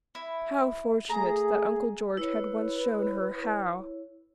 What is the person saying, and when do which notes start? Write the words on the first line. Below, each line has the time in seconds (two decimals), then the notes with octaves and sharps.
How fortunate that Uncle George had once shown her how!
0.15 E4
1.09 A3 G#4 A#5
2.17 E4 B4 C#5